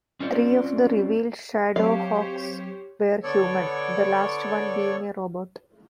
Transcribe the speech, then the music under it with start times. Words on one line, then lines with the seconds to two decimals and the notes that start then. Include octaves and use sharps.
Three of the revealed ShadowHawks were human, the last one being a robot.
0.20 C4 C#4 F4 C5 D5
1.76 F#3 C4 G4 C5 C#5 F5
3.23 D3 B3 A4 C#5 D5 C#6